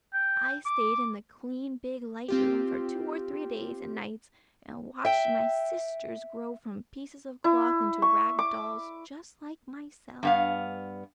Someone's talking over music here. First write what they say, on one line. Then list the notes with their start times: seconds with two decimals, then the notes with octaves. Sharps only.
"I stayed in the clean big light room for two or three days and nights and watched my Sisters grow from pieces of cloth into rag dolls just like myself!"
0.14 G5
0.66 D6
2.28 C4 F4 G4
5.05 E5 G5
7.44 E4
8.02 C#6
8.39 D6
10.23 G2 B3 F5